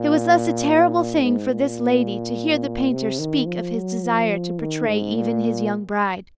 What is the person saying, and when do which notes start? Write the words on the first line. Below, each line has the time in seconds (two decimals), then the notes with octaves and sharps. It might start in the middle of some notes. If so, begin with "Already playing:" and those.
It was thus a terrible thing for this lady to hear the painter speak of his desire to portray even his young bride.
Already playing: A#2
1.22 G#2
1.49 A#2
2.91 C3
3.19 D#3
3.46 F3
3.75 F#3
4.03 F3
4.59 D#3
4.87 G#2
5.15 A#2